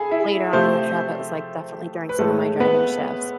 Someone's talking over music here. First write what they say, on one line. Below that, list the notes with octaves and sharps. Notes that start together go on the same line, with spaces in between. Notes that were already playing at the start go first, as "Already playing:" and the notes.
later on in the trip, it was, like, definitely during some of my driving shifts,
Already playing: G#4 A4 G#5 B5
E4 E5
C3 F3 A3 C4 C5
B4
A2 G#3 A3 A4
B3 B4